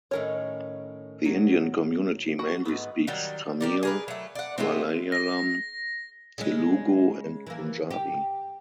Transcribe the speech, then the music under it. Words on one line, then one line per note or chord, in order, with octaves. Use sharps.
The Indian community mainly speaks Tamil, Malayalam, Telugu and Punjabi.
A2 D#3 C#4 A#4 C#5
F#3
F#4 B5
G#2 A3 B3
D#3 F#3 G3
G4 A#4 D5
G#4 A#4 B4
F#3 A3
D5 F#5
G#3 A3 B3 C4
A#6
C#3 G#3
E3 A#3
G4